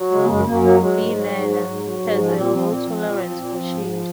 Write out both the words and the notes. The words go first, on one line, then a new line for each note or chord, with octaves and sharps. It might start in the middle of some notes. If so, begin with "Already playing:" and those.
"B. nana" has a low tolerance for shade.
Already playing: F#3
C#3 G#3
A#3
F#2 G#3
F#2 A#3
F#3 A#3
F#3 G#3
G#2
F#3
G#2
F#3
G#2
F#3
G#2
F3 G#3
C#4
A#2 C4
F3 C4
A#2 C4
F3
A#2
F3
A#2
F3
G#2
F3